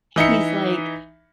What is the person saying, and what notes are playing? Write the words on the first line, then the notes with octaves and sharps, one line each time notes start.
he's like,
E3 D#4 E5 C#7